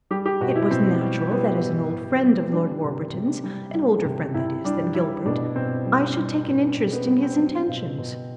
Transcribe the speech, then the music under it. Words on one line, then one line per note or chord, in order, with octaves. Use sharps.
"It was natural that as an old friend of Lord Warburton's--an older friend, that is, than Gilbert--I should take an interest in his intentions."
G3 G4
G4
B2 F#4
E4
B2 C4
G3
G3 B3
B2
B2
G3
G3 D4
C3
C3
G3
G3
C3
C3 E4
G3 D4
G3 E4
B2 D4
B2 C4
G3
G3
B2
B2 C4
B3
G3 B3
C4
F#3
B2
B2